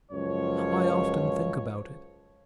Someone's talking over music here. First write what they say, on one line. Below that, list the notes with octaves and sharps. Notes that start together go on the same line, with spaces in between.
I often think about it.
C#2 F#2 F3 C#5